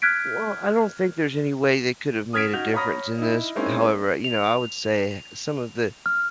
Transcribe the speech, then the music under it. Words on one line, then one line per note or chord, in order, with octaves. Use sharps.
Well, I don't think there's any way they could have made a difference in this. However, you know, I would say some of the
F6 F#6 G#6 B6 D7
D#6 F6 G#6 B6 D7
D#4 F#4 G6 F7
C#5 A#5 B5 D#6 F6 A#6
D#4 E4
G#3 A#3 C4 C#4 D#4 E4
F7
F6